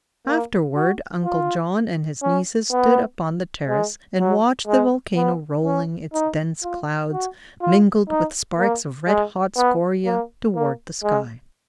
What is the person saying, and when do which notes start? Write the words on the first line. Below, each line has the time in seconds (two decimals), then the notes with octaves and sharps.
Afterward Uncle John and his nieces stood upon the terrace and watched the volcano rolling its dense clouds, mingled with sparks of red-hot scoria, toward the sky.
0.28 A#3
0.75 F#4
1.25 F4
2.23 C#4
2.72 B3
3.69 G#3
4.19 F#3
4.67 G#3
5.16 B3
5.65 C#4
6.14 D#4
6.63 F4
7.12 F#4
7.61 F4
8.10 D#4
8.58 A#3
9.08 G#3
9.57 B3
10.06 A#3
10.55 A#3
11.04 G#3